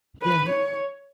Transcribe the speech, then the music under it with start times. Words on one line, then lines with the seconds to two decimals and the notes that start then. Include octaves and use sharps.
Yeah, he
0.22 B4
0.50 C#5